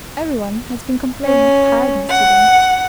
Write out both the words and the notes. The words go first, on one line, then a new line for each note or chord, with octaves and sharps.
Every one has been complaining of tiredness to-day.'
C#4
F#5